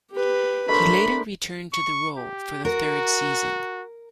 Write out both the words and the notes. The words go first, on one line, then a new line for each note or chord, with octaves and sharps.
He later returned to the role for the third season.
G4 B4
A3 D4 A#4 C5 B5
C#6
G4
F#4 A#4